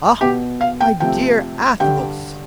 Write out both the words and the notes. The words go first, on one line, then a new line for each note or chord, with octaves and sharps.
"Ah! my dear Athos!"
B2 B3 G4
F5
G5
C3 F3 A3 C4 G5
G2 D3 G3 G5